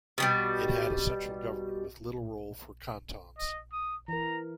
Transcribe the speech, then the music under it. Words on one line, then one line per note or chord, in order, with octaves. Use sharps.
It had a central government with little role for cantons.
B2 D#3 G3
D#5
D#6
E3 A#4 A#5